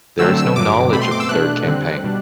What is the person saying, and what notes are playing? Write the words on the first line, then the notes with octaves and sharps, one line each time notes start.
There is no knowledge of the Third Campaign.
D3 F#3 A3 C4 E6
E6
G2 D3 F#3 D6
B2 A3 C4 B5
C6
D6
E6
B2 A3 D4 F#6
D3 G3 C4
B2 G3 D4